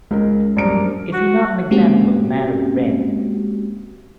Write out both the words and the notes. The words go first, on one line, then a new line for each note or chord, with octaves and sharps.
Is he not an example of a man of "ren"?
C#2 G#3 C#4 A#4
A#1 F#2 G3 D4 A#4 D5 D7
F#4
G#3 A#3 C4 C#4 F#4 G4